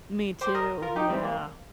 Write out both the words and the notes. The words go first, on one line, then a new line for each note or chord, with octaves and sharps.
Me too, yeah.
G4 C5
A#4 D#5
F4 A#4
D#4 G4
G3 C4
A#3